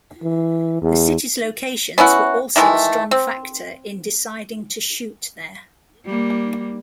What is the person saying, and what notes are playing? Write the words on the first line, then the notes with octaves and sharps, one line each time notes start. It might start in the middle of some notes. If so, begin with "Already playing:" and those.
The city's locations were also a strong factor in deciding to shoot there.
E3
E2
B3 C#4 E4 F#4
D#3 E3 G#3 A3
C4
G3 A#3